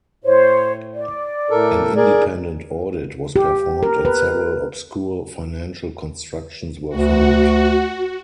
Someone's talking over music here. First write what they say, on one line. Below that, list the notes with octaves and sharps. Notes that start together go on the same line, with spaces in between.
An independent audit was performed and several obscure financial constructions were found.
A2 C5 C#5
D5
A2 A4 A#4
G#4 A#4 D5
G4
A#4
B4
D2 F#4